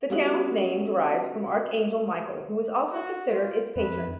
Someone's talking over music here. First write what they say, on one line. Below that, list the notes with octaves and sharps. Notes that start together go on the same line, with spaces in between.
The town's name derives from Archangel Michael who is also considered its patron.
G3 B3 C#4 F#4 G#4
F#4
F4
F2 B4